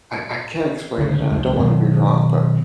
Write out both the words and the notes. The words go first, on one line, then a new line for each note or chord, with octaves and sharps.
I I can't explain it and I don't wanna be wrong, but
D2 C#3
C#2 F#2
B2 D#3 F#3